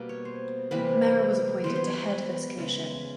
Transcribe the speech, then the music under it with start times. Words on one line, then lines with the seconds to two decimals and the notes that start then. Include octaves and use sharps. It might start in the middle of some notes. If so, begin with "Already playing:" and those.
Mehra was appointed to head this commission.
Already playing: B2 G3 A#3
0.09 C#5
0.25 C5
0.71 C3 E3 G3 A#3 B4
1.64 E3 G3 B3 C5
1.76 C5
1.87 C#5
1.94 B4 C5
2.10 B4
2.57 C#3 E3 G#3